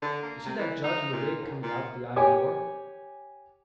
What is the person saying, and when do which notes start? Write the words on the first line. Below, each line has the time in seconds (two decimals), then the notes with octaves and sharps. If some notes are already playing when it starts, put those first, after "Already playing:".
You see that judge in a wig coming out at the iron door?
0.02 D3
0.22 A#3
0.46 C3
0.59 E3
0.84 D#4
1.13 A#2
1.42 D#2
1.63 A#2
2.16 G4 C#5 G#5 D6